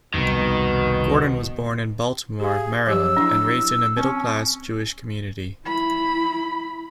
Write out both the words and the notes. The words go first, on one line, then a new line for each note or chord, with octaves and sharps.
Gordon was born in Baltimore, Maryland, and raised in a middle class Jewish community.
C2 F2 B2 D#3
G4 G#4 F5
F3 F#3 G4 E6
D4 E4
C4 C#4
E4 B5